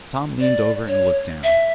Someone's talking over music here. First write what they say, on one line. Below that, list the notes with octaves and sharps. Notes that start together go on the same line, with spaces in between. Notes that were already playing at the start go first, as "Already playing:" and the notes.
Tom leaned over and looked down.
D5
C#5
E5